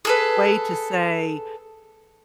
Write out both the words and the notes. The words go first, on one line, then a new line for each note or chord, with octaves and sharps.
way to say
G#4 A4 B4